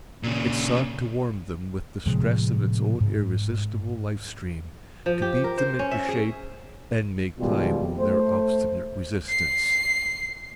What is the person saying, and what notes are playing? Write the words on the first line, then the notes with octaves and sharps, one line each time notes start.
It sought to warm them with the stress of its own irresistible life-stream, to beat them into shape, and make pliable their obstinate resistance.
A#2 C#3
A2 C3 F3 G#3
G#2
F3
G4
A#4
C5
C#4
E5
G#4
B2 D#3 G3 G#3 F4
A3 C5
C7